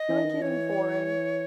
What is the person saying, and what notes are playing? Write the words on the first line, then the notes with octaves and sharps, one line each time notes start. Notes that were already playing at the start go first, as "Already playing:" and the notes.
You're getting boring.
Already playing: D#5
E3
D#3
E3 C#5